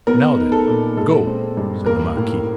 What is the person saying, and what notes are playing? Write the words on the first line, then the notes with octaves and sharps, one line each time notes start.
"Now, then, go," said the marquis.
B3 A#4
D#4
A4
A#2
G#3 A4
C4
G2
A#3 A#4
A2